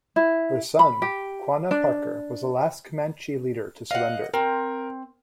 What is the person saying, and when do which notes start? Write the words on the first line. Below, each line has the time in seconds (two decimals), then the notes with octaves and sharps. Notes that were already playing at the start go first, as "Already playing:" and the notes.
Her son Quanah Parker was the last Comanche leader to surrender.
0.16 E4
0.79 B5
1.02 G4
1.71 D4
3.91 D#5 F5 F#5
4.34 C4 A#4